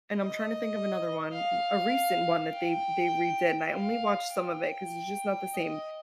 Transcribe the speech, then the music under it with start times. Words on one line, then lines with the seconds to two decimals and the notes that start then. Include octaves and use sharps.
and I'm trying to think of another one, r a recent one that they they redid, and I only watched some of it, 'cause it's just not the same,
0.12 D#5
1.33 F5
2.53 G5
3.73 F5
4.32 G5
5.54 D#5